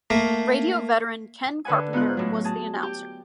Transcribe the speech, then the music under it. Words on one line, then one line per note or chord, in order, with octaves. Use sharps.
Radio veteran Ken Carpenter was the announcer.
A3 A#3 A#4
D3 B4 F#5 G#5
G#2 B3 F4 F#6
A2 F#3
G#4 A5
G4 G5